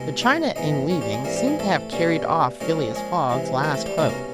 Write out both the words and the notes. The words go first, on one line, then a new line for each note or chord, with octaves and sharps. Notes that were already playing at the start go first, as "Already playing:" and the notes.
The China, in leaving, seemed to have carried off Phileas Fogg's last hope.
Already playing: C2 B2 G#3
D#4 D#5
G#2 E3 G#3 B3 D#4 D#5
C#4 C#5
G3 G4
G#3 G#4
G#2 E3 G3 A#3 C4 A#4
G3 G4
G#3 G#4
A3 A4
B2 G3 A#3 C#4
A#2 F3 G#3 C#4
G#3 G#4
C3 E3 G#3
A#3 A#4
A3 A4
G3 G4
C2 B2 F#3 A3 A#3 C#4 A4
A#3 A#4